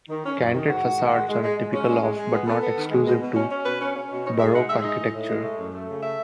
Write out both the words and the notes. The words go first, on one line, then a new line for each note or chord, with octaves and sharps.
Canted facades are a typical of, but not exclusive to, Baroque architecture.
D#3
C#4
F#2
D#3
G#2 F#4
G#2
D#3
G#3
G#3
G#3
G#3
C#4
G#3
G#3
G#3
B3
B3 A4
B3
D#3
G#3
B2
B2
C#4
C#4
B2 B4
C#4
C#4
B2
D#4 C#5
G#3 E5
D#4 F#5
G#3 E5
D#4 D#5
A2
A2
G#3
A3
F#2
A3
C#3
A3 E5